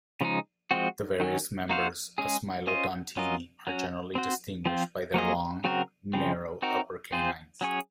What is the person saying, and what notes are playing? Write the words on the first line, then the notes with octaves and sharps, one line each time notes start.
The various members of smilodontini are generally distinguished by their long, narrow upper canines.
C#3 F3 G#3 D#4
F3 G#3 C4 F#4
D#3 F#3 C#4
A#3 D#4 F#4 C5 F5
G#3 C#4 G#4
C#4 F4 C5 D#5
F#3 C#4 F4 A#4 D#5
F#3 C#4 F#4
C4 F#4 C5
F3 C4 F4
F#3 A#3 F4 G#4 D#5
C#3 F#3 C4 F#4 A#4
C#3 F3 C4
C4 D#4 F#4 A#4
C4 F4 G#4 C5
F#3 C#4 G#4 C#5